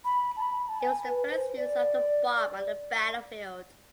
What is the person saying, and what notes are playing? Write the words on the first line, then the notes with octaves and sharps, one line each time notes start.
It was the first use of the bomb on the battlefield.
B5
A5
B5
A5
G#5
B4
C5
D5